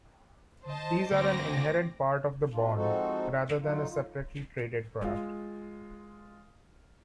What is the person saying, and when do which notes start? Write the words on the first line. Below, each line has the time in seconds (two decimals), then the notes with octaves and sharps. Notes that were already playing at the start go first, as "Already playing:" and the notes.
These are an inherent part of the bond, rather than a separately traded product.
0.65 C5 D#5 A5
1.12 D2 C4 D6 A#6
2.52 B2 D4 F4
2.75 F3 G#3 C4 D#4 F#4 A4
3.61 D3 F#3 D#4 F4
3.90 F4
5.02 G#3 F4